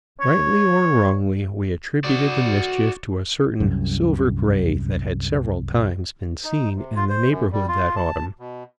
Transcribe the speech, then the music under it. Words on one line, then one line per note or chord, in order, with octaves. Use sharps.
Rightly or wrongly, we attributed the mischief to a certain "silver-gray" that had several times been seen in the neighborhood that autumn.
C#5
F#4 D5
C2 F#2
D#4
C3
F4
C5
F#2
G3
F4
A5
B2